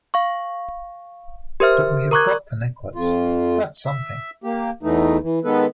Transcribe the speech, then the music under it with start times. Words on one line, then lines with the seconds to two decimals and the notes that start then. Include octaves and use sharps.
But we have got the necklace — that's something.
0.14 F5 C#6
1.60 G4 A#4 C5 E5 F6
2.11 A#4 A#5 C#6 D6 F#6 G#6
2.95 F2 F4
3.85 E5
4.44 A#3 G4
4.83 E2 E3 A3 D#4
5.23 E3
5.44 D#3 G#3 B3 A4 B4